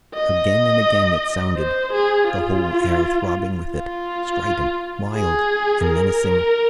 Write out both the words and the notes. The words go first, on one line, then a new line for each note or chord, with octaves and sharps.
Again and again it sounded, the whole air throbbing with it, strident, wild, and menacing.
D#5
C5
G#4
F4
F4
G#4
A#4